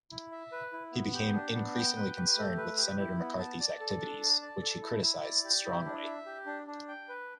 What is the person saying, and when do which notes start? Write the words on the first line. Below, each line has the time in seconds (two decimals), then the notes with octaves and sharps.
He became increasingly concerned with Senator McCarthy's activities, which he criticized strongly.
0.11 E4
0.32 E5
0.52 B4
0.73 E4
0.93 B3
1.14 G4
1.34 D4
1.55 B3
1.75 G5
1.96 B4
2.17 G4
2.37 A3
2.57 B4
2.77 G4
2.99 E4
3.19 B3
3.39 A5
3.60 D5
3.80 A4
4.01 D4
4.21 A5
4.42 D5
4.62 A4
4.82 E4
5.03 E4
5.23 D5
5.44 G4
5.65 E4
5.86 D4
6.05 E5
6.26 G4
6.46 D4
6.67 D4
6.88 G5
7.09 B4